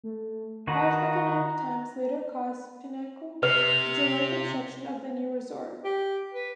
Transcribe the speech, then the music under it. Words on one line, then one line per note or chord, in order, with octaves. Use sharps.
Harsh economic times later caused Pinnacle to delay construction of the new resort.
A3
D#3 F#4 B4 A#5
C3 B4 F7
G4
B4